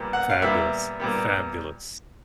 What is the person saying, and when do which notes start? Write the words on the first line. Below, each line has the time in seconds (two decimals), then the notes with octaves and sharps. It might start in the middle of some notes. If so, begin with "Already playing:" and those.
Fabulous, fabulous.
Already playing: A#2 G3 B3
0.13 F#5
0.30 F5
0.42 A#2 G3 B3 E5
1.00 A#2 G3 B3